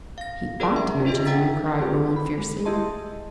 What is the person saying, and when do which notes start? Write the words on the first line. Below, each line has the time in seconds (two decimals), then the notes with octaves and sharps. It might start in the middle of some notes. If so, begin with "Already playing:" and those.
"He ought to mention them," cried Roland fiercely.
0.18 F5 A#6
0.60 F#4 G#4 A#4 C5 D5 F#5
0.76 E5
1.05 F4 G#4 C5 D#5 E5
1.25 F#5 G5 A#5 E6 A6 B6
1.80 C4 F4 G4 G#4 B4
2.16 B5
2.38 G#3
2.65 E4 G4 G#4 D#5 A5 C6